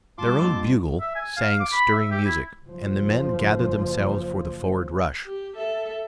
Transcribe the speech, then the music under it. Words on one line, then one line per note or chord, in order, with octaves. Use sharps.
Their own bugle sang stirring music, and the men gathered themselves for the forward rush.
G3 F4 A5 C6 D6
A#1 F2 E6
E5
G#5
F5
D6
B5
E5
G4
E4
F#1 F3
G4
A4 E5